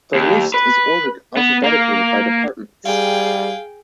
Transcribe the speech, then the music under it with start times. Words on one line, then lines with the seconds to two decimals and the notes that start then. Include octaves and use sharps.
The list is ordered alphabetically by departments.
0.14 D#2
0.54 B4
1.37 B3
1.64 A#3
2.85 G3 G#4 F5 G5